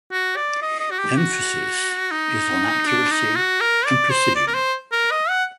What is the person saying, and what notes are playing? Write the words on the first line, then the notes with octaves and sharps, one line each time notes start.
Emphasis is on accuracy and precision.
F#4
D5
D#5
D#5
F#4
G4
F#4
D#4
D4
D#4
F#4
A#4
D5
C5
D5
A#4
C5
A#4
D#5
F#5